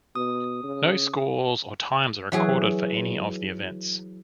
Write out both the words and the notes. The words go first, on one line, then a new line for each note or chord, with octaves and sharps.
No scores or times are recorded for any of the events.
B2 D#6
C#3
E3 F#3 G#4